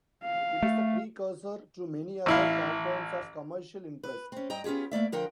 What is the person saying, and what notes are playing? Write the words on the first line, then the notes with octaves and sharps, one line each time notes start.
It is a precursor to many other compounds of commercial interest.
F5
A3
A1 E4 F5
B4
C4 C#4
G2 D#5 G5 A#5
B3 C#4 F4 G4 G#4
A3 A#3 D5 E5
D3 F3 A#4 F#5 G5